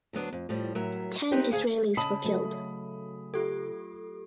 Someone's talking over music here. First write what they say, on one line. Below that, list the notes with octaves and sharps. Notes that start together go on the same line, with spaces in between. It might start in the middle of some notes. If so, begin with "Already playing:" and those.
Ten Israelis were killed.
D2 F#3 B3 D4
F2
A2 F3 G3
A2 F#3 A#4 E5
C4 D#4 G4 A#4 B4
D2 G2 G#4 F5
C#3 D#5 A5 B5 D#6 F#7
F#3 A3
F4 G4 A4